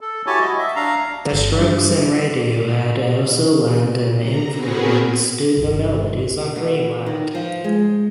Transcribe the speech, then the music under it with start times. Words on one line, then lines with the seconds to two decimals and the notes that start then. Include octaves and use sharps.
The Strokes and Radiohead also lend an influence to the melodies on "Dreamland".
0.01 A4
0.26 E4 F#4 G4 C#5 G#5 A5
0.40 F#4 D#5
0.58 E5
0.76 D4 F5 A#5
1.33 G1
1.60 G2
4.19 A#5
4.49 B3 C4 F#4 G#4 A#4 B4
5.57 G1 C2
6.56 B2
7.06 D#3
7.35 F3
7.64 G#3